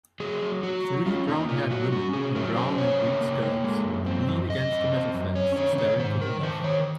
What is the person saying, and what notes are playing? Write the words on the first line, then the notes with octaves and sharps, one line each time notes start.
Three brownhaired women in brown and green skirts lean against a metal fence staring to the left.
F#3 G#4
F#3
F#3 F#4
F#3
C#4 F4
A#3 D#4
A#2 F4
F#3 F#4
C#4 F#4
C3 G#4
F#3 A#4
C#4 C5
C3 C#5
A#3
A#3
A#3
G#3
F#2
C4
F#2
F#2 D#5
C4
C4
F#2
C#4 C#5
D#3 C#5
D#3 C#5
G#2 C5
D#3 A#4
D#3 C5
D#3 C#5